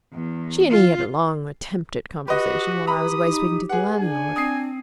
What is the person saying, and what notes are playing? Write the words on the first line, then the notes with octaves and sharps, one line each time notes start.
'She and he had a long attempt at conversation, while I was away speaking to the landlord.'
E2
F4
F#4 G4 B4 D#5
B4 A#5 B5 D#6
D#4
G#4 B4 F#5
D4 G#5
C4 D#6 C7